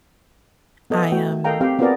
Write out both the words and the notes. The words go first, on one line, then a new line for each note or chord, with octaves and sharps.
I, um
B3 A4 D#5
A3 F#4 G5
A4 A#4 D#5 F5 G5 A#5
C4 G4 F5 G5
B3 C4 F4 G#4 A#4 D5